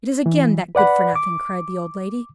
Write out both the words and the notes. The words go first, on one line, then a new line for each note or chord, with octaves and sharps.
"It is again that good-for-nothing!" cried the old lady.
E3
B4 D5 F#5 B5
D6